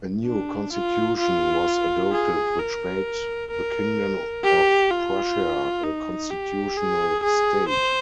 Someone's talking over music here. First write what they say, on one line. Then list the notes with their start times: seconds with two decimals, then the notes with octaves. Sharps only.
A new constitution was adopted which made the kingdom of Prussia a constitutional state.
0.26 D4
0.73 F4
1.19 F4
2.12 G#4
2.59 A#4
3.51 A#4
4.44 G4
4.91 F4
5.83 D#4
6.30 G4
6.77 G#4
7.23 G#4
7.69 C5